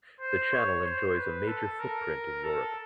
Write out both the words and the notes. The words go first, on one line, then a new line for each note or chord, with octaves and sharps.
The channel enjoys a major footprint in Europe.
C5
C#5
C5
B4
A4
A#4
A4